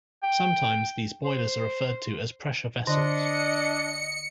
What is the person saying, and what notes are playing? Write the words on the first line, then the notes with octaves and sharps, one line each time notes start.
Sometimes these boilers are referred to as pressure vessels.
G5
C5
D3 D4 D#5 C#7